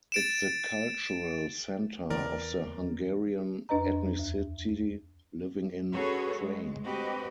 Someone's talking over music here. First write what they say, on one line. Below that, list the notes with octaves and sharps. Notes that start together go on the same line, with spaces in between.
It's the cultural centre of the Hungarian ethnicity living in Ukraine.
A6 D7 E7
E2 E3 A#4 D5
F2 D4 B4 D#5 A#5
D#2
C#4 F#4 G#4 A4 B4 C#5
G#3
D2 C4 F#4 G4 B4 D#5